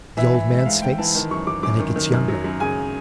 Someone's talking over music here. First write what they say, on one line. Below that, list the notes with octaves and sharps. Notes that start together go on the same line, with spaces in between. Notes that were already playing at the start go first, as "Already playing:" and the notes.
The old man's face, and it gets younger.
E3 E5
E3
G#2
E5
G#2 F5
G#2 G5
E3 A5
D#3 A5
F#2 C#6
F#2 D6
F#2 D6
D#3
D#3
F#2
F#3
F#2
C#3 G#5